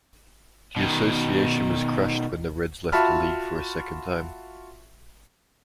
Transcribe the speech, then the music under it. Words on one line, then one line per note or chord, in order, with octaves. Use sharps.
The Association was crushed when the Reds left the league for a second time.
B2 D#3
F4 F#4 E5 A5 B5 F6